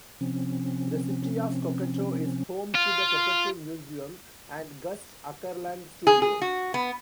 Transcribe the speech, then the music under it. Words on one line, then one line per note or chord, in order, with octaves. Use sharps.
The city of Cokato is home to the Cokato Museum and Gust Akerlund Studio.
C3 F3 C4 C#4
F4
G#4
G#4
F#4
B3